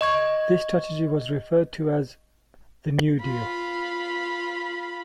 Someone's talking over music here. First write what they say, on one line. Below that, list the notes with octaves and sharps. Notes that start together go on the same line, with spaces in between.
This strategy was referred to as "The New Deal".
D#5 C#6 G#6
F4 B5